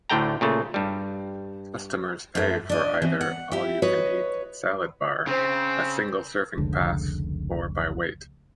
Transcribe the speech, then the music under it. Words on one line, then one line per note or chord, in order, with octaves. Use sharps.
Customers pay for either "all-you-can-eat" salad bar, a single serving pass, or by weight.
D2 A2 D3 A3 G5 A#5
A#2 C#3 A3
G2 G3
F#2 A3
D4 D#5
B2 E3 C4
F#5
E4 G4
F#4 B4 C#5 D#5
C#3 C4 D4 C5
F1 C#2 D3 G#3